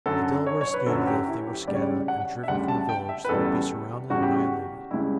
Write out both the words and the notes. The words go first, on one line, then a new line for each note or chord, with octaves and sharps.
The Delawares knew that if they were scattered and driven from the village they would be surrounded and annihilated.
F#2 D3 F#3 A4
C#5
C#5
B4
F#2 D3 F#3 A4
G4
E4
G4
D2 C#3 G3 D5
C#5
D5
F#5
E5
D2 C#3 G3 F#5
A5
G5
E5
B4
E2 C#3 G3 A4
E2 C#3 G3 F#4
G4
F#4
C#2 C#3 G3 E4